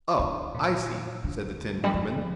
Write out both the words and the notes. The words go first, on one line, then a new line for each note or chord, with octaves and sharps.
"Oh, I see," said the Tin Woodman.
D3
A#2
D3
G3
F3